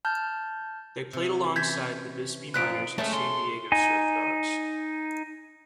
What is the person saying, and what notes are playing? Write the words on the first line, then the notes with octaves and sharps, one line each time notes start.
They played alongside the Bisbee Miners and San Diego Surf Dawgs.
A5 F6 G6
C3
E3 C#4 A5 G6 G#6 B6
F#2 A#2 F3 D#4 F#6 B6 D7
G#3 A3 C#4 A4 C#5 E5 B5
C6
D#4 G#5